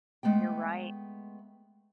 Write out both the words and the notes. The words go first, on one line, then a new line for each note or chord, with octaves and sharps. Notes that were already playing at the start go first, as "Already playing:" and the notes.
You're right.
G#3 A3 B3 G5